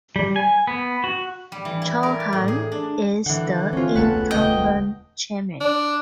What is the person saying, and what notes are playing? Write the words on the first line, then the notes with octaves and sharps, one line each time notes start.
Chauhan is the incumbent chairman.
G3
G#5
B3
F#4
G3
E3
E4
A#4
G4
A2
G#4
D4
D3 E3 F#5
C4 C#4 F4
E1 C#2 C#3 A3 B3 B4 F#5 A5
D#1 C#2 D#5 G5
D4